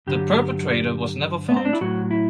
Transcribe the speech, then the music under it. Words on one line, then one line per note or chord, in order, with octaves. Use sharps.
The perpetrator was never found.
G2 D3 F#3 G4
B3
C4
D4
E4
A2 F#3 F#4
E4